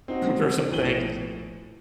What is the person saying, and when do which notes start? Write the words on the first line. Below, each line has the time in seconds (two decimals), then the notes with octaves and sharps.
for some things.
0.08 C4 D#4 F#4
0.71 A#1 A2 D#7 F#7 G7